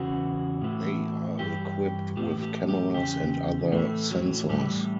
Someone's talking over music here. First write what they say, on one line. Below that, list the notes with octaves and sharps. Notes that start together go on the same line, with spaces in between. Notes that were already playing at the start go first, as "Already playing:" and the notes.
They are equipped with cameras and other sensors.
Already playing: E2 C#3 E3 F#4
A2 E3
G2 E3 G4
A2 E3 G4
G4
G4
E2 C#3 G4
A2 E3 A3
F#3
A2 E3 G3